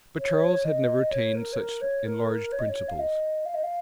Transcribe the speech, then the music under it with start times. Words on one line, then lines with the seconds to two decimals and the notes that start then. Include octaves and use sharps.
But Charles had never attained such enlarged principles.
0.18 C#5
0.65 D#5
1.11 C#5
1.35 A#4
1.53 C#5
1.58 A#4
1.81 C#5
2.05 A#4
2.52 C#5
2.60 D#5
2.69 C#5
2.88 F5
2.99 D#5
3.46 F5
3.55 D#5
3.63 F5